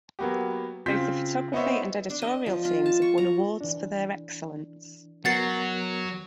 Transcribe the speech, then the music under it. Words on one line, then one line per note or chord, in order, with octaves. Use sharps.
Both the photography and editorial teams have won awards for their excellence.
F#3 A#3 B3 F#4 G4
C#3 C4 F4 G6 B6
B3 D#4 C5 C#5 E5
D4
D#5
F3
F4
A5
C#6
A#5
E3 D4
F#3 B3 F#4 A#4 F#5 A6 C7